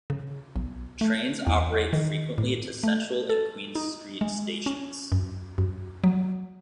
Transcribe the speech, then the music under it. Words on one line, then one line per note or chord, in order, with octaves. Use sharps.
Trains operate frequently to Central and Queen Street stations.
C#3
B1
A3
E2
D#3
A2
A3
A4
D#4
G#3
C#4
F#2
F#2
F#3